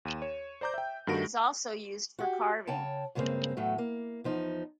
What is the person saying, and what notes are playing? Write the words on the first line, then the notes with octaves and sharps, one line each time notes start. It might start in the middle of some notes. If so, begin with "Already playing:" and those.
It is also used for carving.
D#2 D#7 E7
C#5
C5 D5 A#5 D6 G6
E5 G5
G2 D#3 F#4 A#6 D7
F#4 G4
C#3 C#5 G5 A5
G2 C#3 G3 G#3 A#3 C4
E2 A2 F#3 A3
A#3
E2 F3 D#4